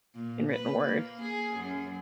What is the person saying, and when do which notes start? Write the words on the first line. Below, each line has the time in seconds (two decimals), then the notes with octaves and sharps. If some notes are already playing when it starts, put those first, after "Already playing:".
in written word.
0.15 A#2
0.50 B4
0.84 A#3
1.21 G#4
1.56 F#2